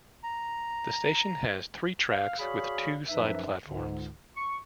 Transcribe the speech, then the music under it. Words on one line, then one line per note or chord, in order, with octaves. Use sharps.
The station has three tracks with two side platforms.
A#5
F5
F#4 G#4 C#5 D5 F5 B5
F#2 F3 F#3 D#4 B4 E5
C#2 G#2 D3
C#6